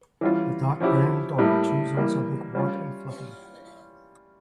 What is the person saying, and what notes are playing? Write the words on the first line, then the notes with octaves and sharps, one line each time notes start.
A dark brown dog chews on something white and fluffy.
E3 G3 C#4 F4
F3 C#4 E4 G4
A2 G3 A#3 E4 G4
E3 G3 A#3
G3 C#4 F4